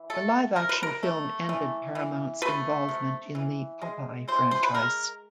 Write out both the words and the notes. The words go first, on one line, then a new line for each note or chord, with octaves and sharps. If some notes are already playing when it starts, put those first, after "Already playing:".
The live-action film ended Paramount's involvement in the "Popeye" franchise.
Already playing: E3
A3 A4
C3 A#4
B4
A#4
A3
E3
E3
A3 B4
C3
E3
G#3
E3 C5
C5
B4
G#3 A#4